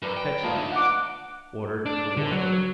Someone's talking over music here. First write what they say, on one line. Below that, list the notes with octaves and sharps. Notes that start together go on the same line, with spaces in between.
"Fetch them," ordered The Warlord.
F#2 B4 D5 A#5
G5
F3 G#3 A#3 D#4
D4 E5
F#5 D6
D4
D3
F#3